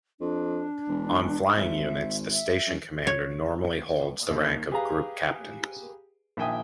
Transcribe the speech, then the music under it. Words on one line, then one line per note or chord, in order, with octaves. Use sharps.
On flying units the station commander normally holds the rank of group captain.
F2 D4
E1
G#1 E5
E5
F#2
C#5
D#2 A#4
G4 G#4 B4 F5 A#5
A#1 D#3 E5 G5 G#5 D#6